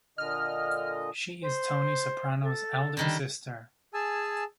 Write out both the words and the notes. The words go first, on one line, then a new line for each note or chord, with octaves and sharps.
She is Tony Soprano's elder sister.
A#2 D3 D#5 F6
C5
A4
D3 D#3 G3
G#4 G#5 A5 E6